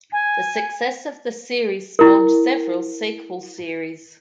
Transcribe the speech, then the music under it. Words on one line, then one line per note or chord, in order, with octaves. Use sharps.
The success of the series spawned several sequel series.
G#5
E4 A#4